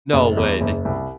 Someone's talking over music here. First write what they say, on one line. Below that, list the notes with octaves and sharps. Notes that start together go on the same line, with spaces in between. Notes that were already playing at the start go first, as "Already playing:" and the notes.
No way, they
F#1
E2
F#1
C2